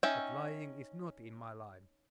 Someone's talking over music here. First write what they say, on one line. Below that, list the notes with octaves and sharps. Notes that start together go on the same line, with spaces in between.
But lying is not in my line.
C#4 D#4 E5 G5